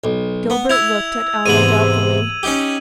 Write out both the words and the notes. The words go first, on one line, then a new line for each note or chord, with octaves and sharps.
Gilbert looked at Alma doubtfully.
B1
B3
E4 E6 G#6 F7
E2 G#2 C3 D#7 F#7
C#4 D#4 G4